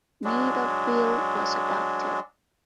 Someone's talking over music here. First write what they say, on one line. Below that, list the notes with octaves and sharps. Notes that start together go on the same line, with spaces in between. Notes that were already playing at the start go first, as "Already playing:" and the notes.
Neither bill was adopted.
F#3 G#3 D4